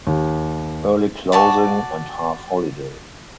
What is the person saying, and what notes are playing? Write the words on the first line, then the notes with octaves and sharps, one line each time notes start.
Early closing and half holiday.
D#2
F#4 D5 A5 C#6